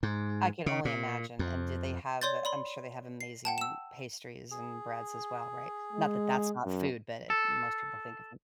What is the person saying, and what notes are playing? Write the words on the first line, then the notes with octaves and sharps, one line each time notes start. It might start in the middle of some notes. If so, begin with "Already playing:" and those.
I can only imagine. And do they have I'm sure they have amazing pastries and breads as well, right? Not that that's not food, but most people think of a
G#2
C#3
A#2
F2
C#5 D5 C6 G6 A6
D5 B5 C6
C7
F#5 G5 A5
E6 E7
G#4
G#3
F#2
A4